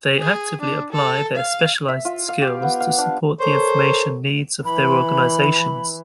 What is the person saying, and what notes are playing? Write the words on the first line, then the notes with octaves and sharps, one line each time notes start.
They actively apply their specialized skills to support the information needs of their organizations.
G#4
D4
A4
F5
E5
F4
F5
G4
B3
F5
D4
A4 A#4 C5 C#5
E3 B5